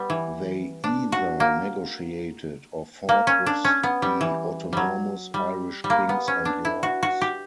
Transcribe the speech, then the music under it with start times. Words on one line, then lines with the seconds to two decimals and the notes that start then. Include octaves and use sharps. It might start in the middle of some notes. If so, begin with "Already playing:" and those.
They either negotiated or fought with the autonomous Irish Kings and lords.
Already playing: G3 B3
0.10 E3
0.84 D4
1.12 F#4
1.40 A#3
3.09 A#3
3.27 C#4
3.46 D4
3.65 C#4
3.83 B3
4.02 G3
4.21 E3
4.73 F#3 G3
5.34 G3
5.84 G3
5.90 A#3
6.09 B3
6.28 C#4
6.45 D4
6.65 E4
6.83 F#4
7.03 F#4
7.21 G4